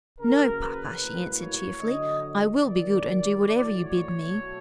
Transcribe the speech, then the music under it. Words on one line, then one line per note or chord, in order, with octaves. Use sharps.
"No, papa," she answered cheerfully, "I will be good, and do whatever you bid me."
C#3 F#3 A#3 A#4
B4
A2 F#3 A#3
C#5
D3 F#3 A3 D#5
D#3 F#3 A#3 D5
A2 F#3 A3 D5
C#5
B2 F#3 A3